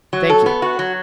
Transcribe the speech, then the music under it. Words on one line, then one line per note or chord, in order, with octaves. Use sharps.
"Thank you."
F#3
A4
B3
F#4
F#3